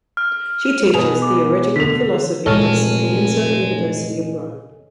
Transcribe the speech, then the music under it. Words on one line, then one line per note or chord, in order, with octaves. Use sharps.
She teaches theoretical philosophy at the Sapienza University of Rome.
F6
B2 B3 G#4 F7
D6
D3 A4 B6 F7
F1 A#2 G#3 A4 C#5 D#5 G#5 F6